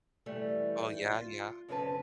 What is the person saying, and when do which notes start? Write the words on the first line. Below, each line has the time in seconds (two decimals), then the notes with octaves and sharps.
Oh, yeah, yeah.
0.26 E3 G3 A3
1.02 F4
1.69 F#2 C#3 C4 C#4 B4 A5